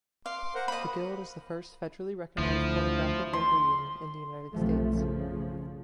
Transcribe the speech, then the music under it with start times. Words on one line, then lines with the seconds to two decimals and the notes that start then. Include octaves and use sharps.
The guild is the first federally recognized pornographic labor union in the United States.
0.26 F5 C6 D6
0.55 A#4 C5 F#5
0.68 A#3 C5 D#5 B5
2.38 D2 F3 E4
3.33 C6
4.53 B1 F#2 C3 E3 F3 A3
4.93 C#3 F3